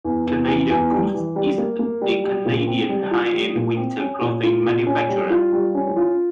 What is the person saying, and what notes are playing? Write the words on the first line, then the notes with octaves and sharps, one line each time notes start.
Canada Goose is a Canadian high-end winter clothing manufacturer.
E2
E2
E3
E2
G3
E3
G3
A#3
A#3
G3
G3
A#2
C4
G3
F4
G3
A#2
C4
C#4
A#2
F4
A#2
C#4
G3
F4
G3
C#4
F4